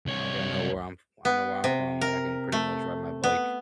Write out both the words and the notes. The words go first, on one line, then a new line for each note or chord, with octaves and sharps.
Like, I know where I'm f I know where I'm from, like, I can pretty much ride my bike
C2 C#5
B3
C3
A#4
A3
B3